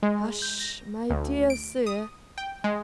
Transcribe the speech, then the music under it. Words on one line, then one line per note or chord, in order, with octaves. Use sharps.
'Hush, my dear sir!
G#3
G6
A#6
D2
D7
D#6
G5
G#3